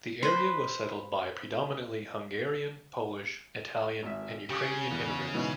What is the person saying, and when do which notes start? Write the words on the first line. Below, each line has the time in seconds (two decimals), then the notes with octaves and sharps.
The area was settled by predominantly Hungarian, Polish, Italian and Ukrainian immigrants.
0.23 B4 C5
4.03 G#1 E5
4.50 C#3 G4
4.91 E2
5.34 G#2 B2 E3